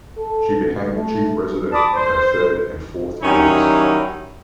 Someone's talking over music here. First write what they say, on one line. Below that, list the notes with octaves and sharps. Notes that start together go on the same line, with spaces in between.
She became the Chief Resident in her third and fourth years.
A4
D2
A3
D5 A5 B5 D6 D#6
C5
D#3 F#3 G3 C#4 D#4 E4